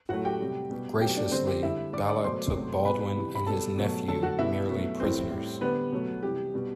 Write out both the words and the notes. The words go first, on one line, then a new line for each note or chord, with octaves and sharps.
Graciously, Balac took Baldwin and his nephew merely prisoners.
A2 F#3 A3 F#4 F#5
G4 G5
C3 G3
B2 G3
B2 F#3 A3 G4 G5
D4 D5
D3 G3 C4 C5
G4
D3 G3 E4 E5
D3 G3 D5 D6
D5 D6
B2 F#3 A3 C5 C6
C3 F#3 A3
B2 G3 B4 B5
C3 E3 G3
B5
B2 G3 A4 A5
B2 F#3 A3
D3 F#3 A3 A4 A5
F#4 F#5
B2 G3 E4 E5
B2 F#3 A3
A2 E3 G3 C4 C5
A2 G3
D3 G3 B3 B4
B2 F#3 A3
C3 E3 G3 G4
B2 G3